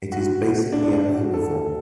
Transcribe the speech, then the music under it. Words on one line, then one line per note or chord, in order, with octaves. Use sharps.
It is basically a herbivore.
F#4
D4
D4
F#4
A4